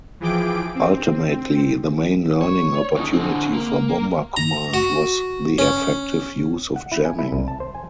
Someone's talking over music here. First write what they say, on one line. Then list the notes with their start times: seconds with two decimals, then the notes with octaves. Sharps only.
Ultimately the main learning opportunity for Bomber Command was the effective use of jamming.
0.20 E3 F3 G#4 G5 D6 D7
0.75 C4
2.41 C#5
2.95 D2 D#4
3.13 D3 C4
3.53 A#3
4.37 A#5
4.74 F#4
5.58 C#4
6.76 F#5
6.92 E4
7.05 G#5
7.19 E4
7.32 C2
7.48 A5
7.60 C5
7.75 G#5